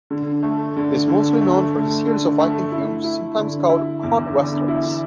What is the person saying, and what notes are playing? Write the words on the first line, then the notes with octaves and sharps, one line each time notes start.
He is mostly known for his series of Viking films, sometimes called "Cod Westerns".
D3
A3
D3
D3
A3
A3
D3
A3
E4
E4
D3
E4
E2
D3
E4